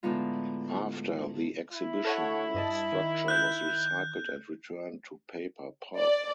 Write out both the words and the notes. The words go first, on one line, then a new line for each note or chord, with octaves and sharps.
After the exhibition the structure was recycled and returned to paper pulp.
A2 D3 G#3 B3 D#4 F4
E4
A4 C#5 F#5
G2 D#5 A5
D#3
F#6 G6
D5